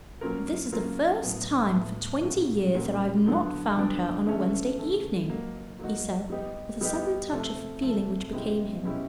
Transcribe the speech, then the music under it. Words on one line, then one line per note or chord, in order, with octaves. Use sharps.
"This is the first time for twenty years that I have not found her on a Wednesday evening," he said, with a sudden touch of feeling which became him.
F#3 A#3 C#4 F4 A#4
F#3 A#3 C#4 F4 A#4
A2 F#3 B3
A2 F#3 B3
A#2 G3 A#3 C#4 F#4
A#2 G3 A#3 C#4 F#4
D3 F#3 B3 D4
D3 F#3 B3 D4
C#3 E3 A3 C#4
C#3 E3 A3 C#4
F#3 A#3 D#4 F#4
F#3 A#3 D#4 F#4
G3 B3 D#4 G4
G3 B3 D#4 G4
C3 F3 A3
C3 F3 A3
B2 G#3 C#4 E4 G4
B2 G#3 C#4 E4 G4